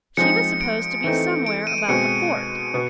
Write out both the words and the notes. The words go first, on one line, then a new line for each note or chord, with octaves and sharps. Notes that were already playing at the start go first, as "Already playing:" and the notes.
She was supposed to be somewhere about the fort.
F3 G#3 C4 D#4 C#7
D7
E3 A3 C4 D#4
D7
D#7
D#7
B2 G#3 C4 C#7
B2 B3